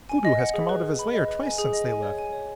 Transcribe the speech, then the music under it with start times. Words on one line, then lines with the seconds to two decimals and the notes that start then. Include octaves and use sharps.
"Kudu has come out of his lair twice since they left."
0.09 G#5
0.25 D#5
0.39 F#5
0.54 G#4
0.69 B4
0.84 B4
0.99 B5
1.14 D#5
1.28 B4
1.43 G#5
1.58 G#4
1.73 D#5
1.88 G#5
2.03 C#5
2.18 G#5
2.33 C#5